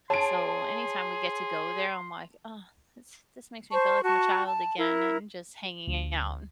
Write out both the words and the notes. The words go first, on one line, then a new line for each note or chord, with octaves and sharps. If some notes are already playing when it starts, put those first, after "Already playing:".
So anytime we get to go there, I'm like, "Oh, this this makes me feel like I'm a child again," and just hanging out.
G#4 C#5 A5 C6 D7
C5 A5 C#6
F#4 A5 C#6
A5
E4 A#4
D2